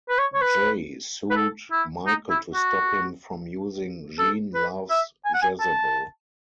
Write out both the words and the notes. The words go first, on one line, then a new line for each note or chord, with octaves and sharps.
Jay sued Michael to stop him from using Gene Loves Jezebel.
B4
C#5
C#5
B4
B4
A4
E4
D#4
E4
F#4
A4
B4
E5
G#5
F#5
G#5
A5